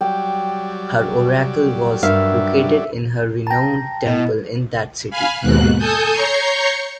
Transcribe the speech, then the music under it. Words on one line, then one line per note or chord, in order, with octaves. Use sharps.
Her oracle was located in her renowned temple in that city.
F#3 G3 D5 G5
G2 A#4 E5 F5
G5 A5 A#5 A#6
B2 E4 D#5
F5 G#5 B5 F6
D#2 G#2 B2 F#6
A4 G#5 A5 D#6 G6
C#5 A#5 C#6 G6 C7 C#7